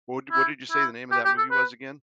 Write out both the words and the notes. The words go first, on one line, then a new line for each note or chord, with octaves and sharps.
What d what did you say the name of that movie was, again?
E4
E4
G4
G4
A4
B4